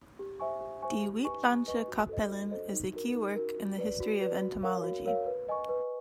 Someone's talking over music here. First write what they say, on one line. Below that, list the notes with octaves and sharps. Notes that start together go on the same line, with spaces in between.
"De Uitlandsche Kapellen" is a key work in the history of entomology.
G4
C5 E5 G#5 C#6
G4
C5 E5 G#5 C#6
G4
B4 D#5 G#5 C#6
G4
B4 D#5 G#5 C#6
F#4
A4 C5 D#5
F#4
A4 C5 D#5
D#4
F#4 A#4
D#4
F#4 A#4
F#4
B4 D5
F#4
B4 D5
F#4
A#4 C#5 F5
F#4
A#4 C#5 F5
B4
D#5 G#5 C#6
B4